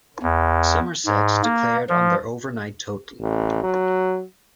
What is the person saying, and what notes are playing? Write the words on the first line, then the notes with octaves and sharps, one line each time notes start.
Somerset declared on their overnight total.
E2
G#2
A#3
F3
A1
F#3